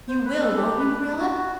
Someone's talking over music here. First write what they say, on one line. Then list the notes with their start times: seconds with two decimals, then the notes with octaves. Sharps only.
You will, won't you, Marilla?
0.08 C5
0.25 B4
0.41 A4
0.56 G4
0.78 B4
1.20 F#4